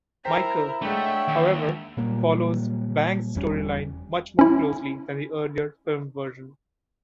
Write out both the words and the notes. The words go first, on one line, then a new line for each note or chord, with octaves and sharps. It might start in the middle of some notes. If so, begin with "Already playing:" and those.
"Michael", however, follows Bang's storyline much more closely than the earlier film version.
E4 A#4 C5 G5 A#5 B6
G#3 A3 D4 C#5 E5 F#5 G5
D#2
A#2 F#3 G3 A#3
F1 E2 G3 C#4
C#4 E4